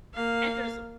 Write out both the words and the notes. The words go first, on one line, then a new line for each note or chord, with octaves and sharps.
And there's I
A#3 F5